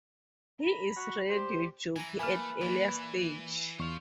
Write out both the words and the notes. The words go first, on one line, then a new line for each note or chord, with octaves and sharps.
He is Radio Jockey at Earlier Stage.
A#5 B5
F#4
G4 C5 D5
E3 G#5 A#5
E3 A3 A#3 B4 G#5 F6
A#2 E3
E2 C5 F5 C#6